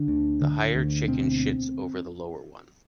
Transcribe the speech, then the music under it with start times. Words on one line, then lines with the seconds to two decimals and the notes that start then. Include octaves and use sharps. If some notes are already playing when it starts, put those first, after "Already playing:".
The higher chicken shits over the lower one.
Already playing: D3 D4
0.08 D2
0.42 D3
0.75 D2
1.08 B2 C4